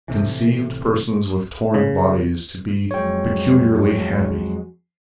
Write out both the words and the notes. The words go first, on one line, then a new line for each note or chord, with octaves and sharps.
He conceived persons with torn bodies to be peculiarly happy.
A2 C3 E3
C#3
F2 F#3 G#3 C#5 G5